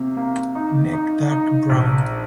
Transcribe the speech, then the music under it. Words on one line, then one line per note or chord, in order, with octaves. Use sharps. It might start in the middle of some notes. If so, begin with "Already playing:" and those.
Neck dark brown.
Already playing: C3 A#3
A#3
D#4
D#4
D#4
A#1